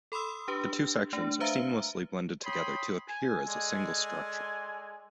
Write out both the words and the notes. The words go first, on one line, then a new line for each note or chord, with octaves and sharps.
The two sections are seamlessly blended together to appear as a single structure.
A4 B5 C6 D#6 E6
D4 G4 B4
A3 D4
B4 C5 E5 F5 A#5
C#5 G5 B5 C6 D#6
G#5
G#3 A4 D5 G#5